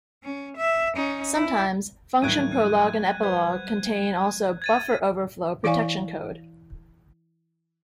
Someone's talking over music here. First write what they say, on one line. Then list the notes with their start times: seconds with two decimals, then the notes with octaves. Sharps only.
Sometimes, function prologue and epilogue contain also buffer overflow protection code.
0.24 C#4
0.57 E5
0.96 C#4 D#4
1.34 E4
2.22 A1 D#2 F#3 G3 F#6 G#6 D7 D#7
3.23 B4 C5 F#5 G#6
4.62 G#6 A6 D#7
5.64 E3 E4 D5 F5 G#5 C#6